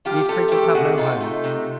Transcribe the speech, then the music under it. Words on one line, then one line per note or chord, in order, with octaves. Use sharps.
These creatures have no home.
F3 F4 G4
F3 G4 A4
A3 G4 A4
C3 F#4 G#4
C3 D#4 F4
A3
C3